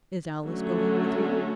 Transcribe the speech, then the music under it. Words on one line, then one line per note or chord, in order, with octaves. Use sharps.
'Is Alice going with you?'
D3 F#3 A3 C#4